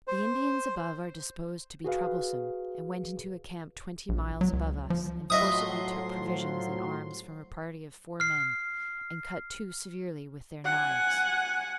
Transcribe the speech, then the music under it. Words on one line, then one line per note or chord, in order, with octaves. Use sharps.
The Indians above are disposed to be troublesome and went into a camp twenty miles above us and forcibly took provisions and arms from a party of four men and cut two severely with their knives.
C5
F#4 G#4 B4 F5
A#1
F#3
C#2
F3
A2 F3 F#3 F#4 D#5 E5 C6 D#6
F6 C7
F#5 G#5